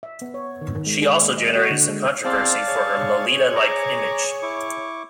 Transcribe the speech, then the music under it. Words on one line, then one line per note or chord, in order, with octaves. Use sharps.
She also generated some controversy for her Lolita-like image.
E5
B3
C#5
D#3
D#3
G#3
G#4
A#3
D#5
F#4
D3
G#3
E2 C4 D5 F5 A5
G#4 C#5
A#5 D6
E4 C#6 D6